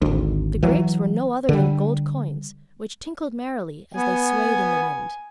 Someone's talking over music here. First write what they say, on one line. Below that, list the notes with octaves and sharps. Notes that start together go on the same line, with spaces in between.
The grapes were no other than gold coins which tinkled merrily as they swayed in the wind.
G#1 D2
E3 F#3
D3 G3
B3 G#5